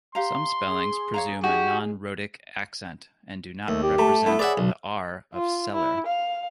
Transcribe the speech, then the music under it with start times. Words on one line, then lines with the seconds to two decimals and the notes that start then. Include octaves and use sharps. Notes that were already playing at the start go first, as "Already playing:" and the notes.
Some spellings presume a non-rhotic accent and do not represent the R of "cellar".
0.15 G4 F5 A#5 C6
0.62 G#4
1.14 C#5 F5 A#5
1.44 D#4 F#4 G4 G#5
3.68 D#2 A3
3.83 G4
3.98 A3 A5
4.26 A3 B3 E4
4.39 G#4 B4 C#5 D5 E5 F#5
4.58 B1 D3 D5
5.34 F4
5.72 E4
6.07 F5